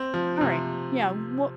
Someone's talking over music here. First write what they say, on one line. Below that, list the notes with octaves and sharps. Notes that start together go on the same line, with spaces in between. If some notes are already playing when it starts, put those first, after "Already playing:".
Alright. Yeah, wha
Already playing: C4
F3
C3